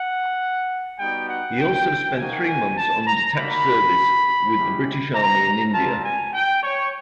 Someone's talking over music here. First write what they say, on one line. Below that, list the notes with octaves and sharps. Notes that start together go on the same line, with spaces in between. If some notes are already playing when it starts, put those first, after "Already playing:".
He also spent three months on detached service with the British Army in India.
Already playing: F#5
G3 B3 D#4 F#4 G5
F#5
G5
A#3 D#4 F#4 G#5
G#5
A5
A#5
G3 A#3 D#4 F#4 B5
G#3 C#4 E4 G4
A#5
G3 C4 F4 A5
G#5
G5
C#5